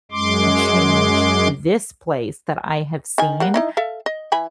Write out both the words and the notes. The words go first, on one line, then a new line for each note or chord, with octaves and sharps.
changed this place that I have seen.
F#2 G#3 C6 D6
D#3 G#5
G3 A#3 F#5
D#4 E4 D#5
A4 E5 F5
D#5
E3 G#5 B5